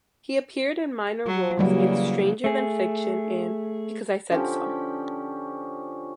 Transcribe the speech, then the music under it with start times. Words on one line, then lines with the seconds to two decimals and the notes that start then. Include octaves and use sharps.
He appeared in minor roles in "Stranger Than Fiction" and "Because I Said So".
1.27 F#3
1.59 C#3 E3 F#3 G3 A#3
2.44 A3 G#4
4.30 D3 F3 C#4 G4